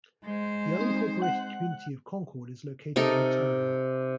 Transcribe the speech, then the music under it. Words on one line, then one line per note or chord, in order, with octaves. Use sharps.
The unincorporated community of Concord is located in the town.
G#3 C5
C4 D#4
F#5 F#6
C3 D#4 A4 A#4